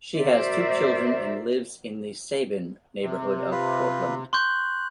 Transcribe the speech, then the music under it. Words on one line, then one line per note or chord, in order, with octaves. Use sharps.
She has two children and lives in the Sabin neighborhood of Portland.
F#4 A#4 C5 D5 E5
C3
F4 B4
C6 C#6 F#6 G6